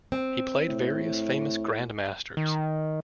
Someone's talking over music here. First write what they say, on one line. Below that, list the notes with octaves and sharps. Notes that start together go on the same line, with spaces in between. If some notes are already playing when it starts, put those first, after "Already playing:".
He played various famous grandmasters.
C4
A2
D#3